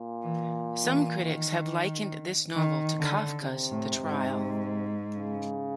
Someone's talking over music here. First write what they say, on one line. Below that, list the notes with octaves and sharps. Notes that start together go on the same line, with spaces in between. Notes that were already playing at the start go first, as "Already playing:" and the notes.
Some critics have likened this novel to Kafka's "The Trial".
Already playing: A#2
E3
E3
D#3
D#3
D3
C3
A2
G#2
C#3